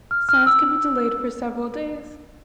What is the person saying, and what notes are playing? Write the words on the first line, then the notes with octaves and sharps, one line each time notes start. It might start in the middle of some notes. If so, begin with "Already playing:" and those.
Signs can be delayed for several days.
F6
F6
E6